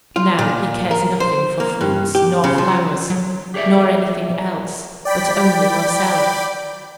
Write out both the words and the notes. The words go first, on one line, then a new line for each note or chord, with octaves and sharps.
But NOW he cares nothing for fruits nor flowers, nor anything else, but only yourself.
F4
A#2
A#4
C5
A#3
G2
G4
C#3
F3
F#3
G4 G#4 C#5 D5 E5
D5 G5 B5 B6